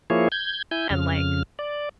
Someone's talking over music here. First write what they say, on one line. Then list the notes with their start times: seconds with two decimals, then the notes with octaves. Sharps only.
and, like,
0.10 F3 A#3 E4 G#4 C#5
0.32 G6 G#6
0.71 E4 G#5 G6
0.90 F2 C#3 F6
1.59 D5